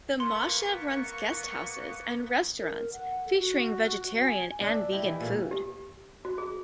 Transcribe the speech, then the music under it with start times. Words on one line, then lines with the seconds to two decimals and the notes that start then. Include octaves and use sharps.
The moshav runs guesthouses and restaurants featuring vegetarian and vegan food.
0.20 A#3 B3 C6 C#6
2.59 A#4
2.93 F#5
3.25 A4
3.37 F#4
4.22 G#5
4.61 D4
4.74 E5
4.90 E4 G4 D#5
5.04 E3
5.20 A#2 C#4 G#4 A4
5.51 G4
6.25 F#4
6.38 G#4